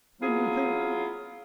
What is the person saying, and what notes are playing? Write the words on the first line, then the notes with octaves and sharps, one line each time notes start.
"Then you think--?"
F#3 E4 F4 G#4